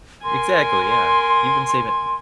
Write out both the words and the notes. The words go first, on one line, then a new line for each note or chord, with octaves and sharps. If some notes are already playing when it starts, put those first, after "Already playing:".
Exactly, yeah, you've been saving
A#4 G#5 C6